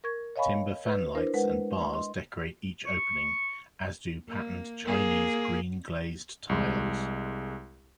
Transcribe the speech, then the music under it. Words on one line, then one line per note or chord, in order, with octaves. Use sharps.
Timber fanlights and bars decorate each opening, as do patterned Chinese green glazed tiles.
A#4 C#6 G#6
C#5 D#5 F5 G#5 B5 C#6
B4
D4 E4 A#4 C5
G#3 A#4 B4 F#5
D#5 C6
C#6
A#3
A#3 G#4
C2 G#3